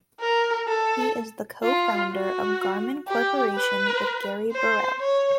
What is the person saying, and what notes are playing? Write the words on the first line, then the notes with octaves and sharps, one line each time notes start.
He is the co-founder of Garmin Corporation with Gary Burrell.
A#4
A4
F4
F#4
G4
B4
C5
C#5